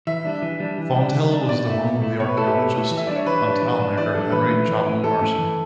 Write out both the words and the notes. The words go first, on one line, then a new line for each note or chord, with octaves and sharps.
Fonthill was the home of the archeologist and tile maker Henry Chapman Mercer.
E3 E5
G3 D4
E3
G3 D4
E3
G3 D4
E3
G3 D4
B2 D5
A3 E4
B2
A3 E4
B2 C#5
B4
A3 E4 A4
G4
B2
A3 E4
E3
E5
G3 D4 D5
C#5
E3 B4
G3 D4
E3
G3 D4
E3 D5
G3 D4 A4
E3 B4
A3 C#4 E4
E3
A3 C#4 E4
E3 A4
A3 C#4 E4
E3